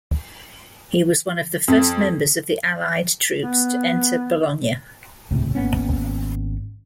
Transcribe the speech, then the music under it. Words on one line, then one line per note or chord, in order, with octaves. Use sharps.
He was one of the first members of the Allied troops to enter Bologna.
F2
B3
D#1 C#2 A2 C3
G#1 A#3 B3 C#4